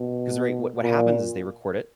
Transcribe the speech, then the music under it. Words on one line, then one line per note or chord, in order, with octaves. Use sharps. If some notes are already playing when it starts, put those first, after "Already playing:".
'cause, right, what what happens is they record it,
Already playing: B2
A#2